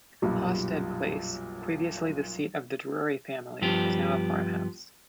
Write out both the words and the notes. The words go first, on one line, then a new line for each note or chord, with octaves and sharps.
Hawstead Place, previously the seat of the Drury family, is now a farmhouse.
B1 F#2 A#2 G3
G2 F3 B3 G4